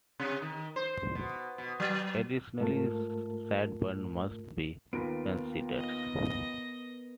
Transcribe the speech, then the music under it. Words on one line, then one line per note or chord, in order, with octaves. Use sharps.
Additionally, sideburns must be considered.
C3
D#3
C5
B2
B2
F#3
G#2 A3 F4 A#4 A5
D#2 B3 F4 A#4 B4 D7
D#5 A#6